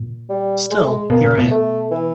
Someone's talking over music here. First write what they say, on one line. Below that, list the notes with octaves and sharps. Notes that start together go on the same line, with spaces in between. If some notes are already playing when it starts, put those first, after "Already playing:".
Still, here I am.
Already playing: A#2
G3
G#3
A3
G#3
B2 A#3
A#2
B2
A3
E3